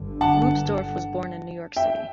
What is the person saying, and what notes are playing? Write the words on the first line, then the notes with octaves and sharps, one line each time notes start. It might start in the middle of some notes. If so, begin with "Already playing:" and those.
Leubsdorf was born in New York City.
Already playing: G1 G2 D3
F#5 A5
E5 G5